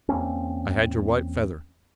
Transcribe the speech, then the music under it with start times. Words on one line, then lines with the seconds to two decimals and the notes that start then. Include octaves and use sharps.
"I had your white feather."
0.09 E2 A#3 C4 C#4